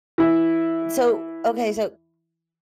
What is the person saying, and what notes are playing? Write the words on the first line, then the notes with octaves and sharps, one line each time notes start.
So, okay, so,
E3 E4